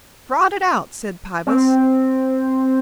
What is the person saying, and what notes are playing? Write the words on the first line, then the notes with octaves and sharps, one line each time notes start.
"Trot it out," said Pybus.
C4